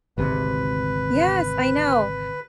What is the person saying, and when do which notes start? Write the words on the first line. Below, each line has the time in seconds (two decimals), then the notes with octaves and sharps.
Yes, I know,
0.18 G#1 D2 C3 B4